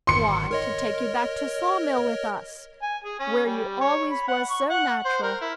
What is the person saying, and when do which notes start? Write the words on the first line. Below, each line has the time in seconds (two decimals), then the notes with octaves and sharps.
"Why, to take you back to Saw-mill with us, where you always was so natural."
0.07 G1 G#2 D#3 C6 C#7
0.51 A#4 C#5 D#5
2.82 G#5
3.04 G#4
3.19 C#4
3.46 G3
3.81 C#5
4.11 B5
4.28 F#5
4.50 C#6
4.70 F#5
5.05 C5
5.23 A#4
5.41 E4